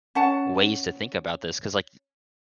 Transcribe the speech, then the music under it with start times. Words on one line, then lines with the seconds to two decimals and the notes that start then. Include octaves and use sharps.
ways to think about this 'cause like,
0.15 C#4 F#5 A5